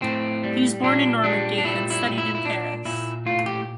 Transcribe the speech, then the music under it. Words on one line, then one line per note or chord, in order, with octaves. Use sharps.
He was born in Normandy, and studied in Paris.
A2 C4
G3
A#2 D4
G3 D4
D4
A#2 E4
E4
A#2
E4
E4
A#2 D4
A#2 E4
A2 F4
G4